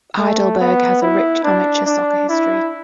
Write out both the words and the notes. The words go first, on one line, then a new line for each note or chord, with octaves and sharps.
Heidelberg has a rich amateur soccer history.
A3
B3
E4
D4
D4
E4